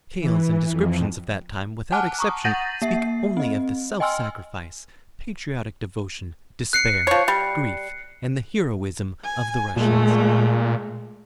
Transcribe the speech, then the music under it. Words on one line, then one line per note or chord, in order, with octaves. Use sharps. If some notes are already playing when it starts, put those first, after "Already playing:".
The tales and descriptions of that time without exception speak only of the self-sacrifice, patriotic devotion, despair, grief, and the heroism of the Russians.
E3
F2
F#5 G#5 A5 D6 F6 F#6
A#5 C#6 D#6
F#5 G6 A6 A#6 D#7 F#7
A#3 E5 C7
C4 D#5
D#5 G5 G#5 C6 E6 F6
F#6 C7 C#7
F3 C#5
G3
G#5
A#2 G#3 A3